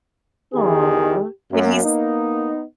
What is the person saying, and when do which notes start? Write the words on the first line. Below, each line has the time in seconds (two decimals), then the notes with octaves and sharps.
Aw, but he's
0.54 E2 D#3 G4 G#4
1.52 F#2 A#3
1.84 B3 D#4